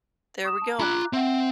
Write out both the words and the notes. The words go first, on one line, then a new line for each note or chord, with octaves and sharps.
There we go.
C#6 D#6 E7
A5
F4 A#5 B5 D6 F#6
C4 E5 F#5